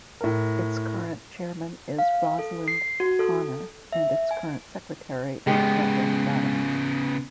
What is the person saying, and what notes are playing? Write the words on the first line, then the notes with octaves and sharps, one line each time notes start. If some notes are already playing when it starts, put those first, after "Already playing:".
Its current chairman is Rosalind Connor and its current secretary is Deborah Latimer.
A2 A#4
F5
A4
C7
F#4
A4
E5
G#5
C#3 G#3 B3 G4